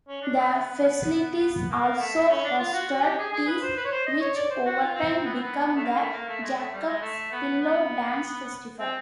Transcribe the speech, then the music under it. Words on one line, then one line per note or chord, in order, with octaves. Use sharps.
The facilities also hosted teas, which, over time, became the Jacob's Pillow Dance Festival.
C#4
D4
C4
B3
A#3
A3
C#4
D4
F4
F#4
F#4
G4
G#4
G#4
B4
C5
B4
C#5
C5
D#5
C#5
D5
C5
F#4
F4
C4
C4
B3
C4
B3
A3
A#3
A3
A#3
A3
G#3
A3
G3
G#3
A3
B3
B3
C4